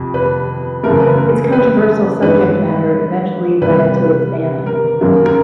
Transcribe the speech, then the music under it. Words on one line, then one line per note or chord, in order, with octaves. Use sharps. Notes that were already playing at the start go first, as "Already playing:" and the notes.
Its controversial subject matter eventually lead to its banning.
Already playing: F2 C3 F3
B4
F#2 C#3 E3 A3 A#4
B4
A#4
B4
G2 E3 G#3 B4
C3 E3 G3 A#3 B4
B4
A#4
F#2 D#3 F#3 A#3
A#4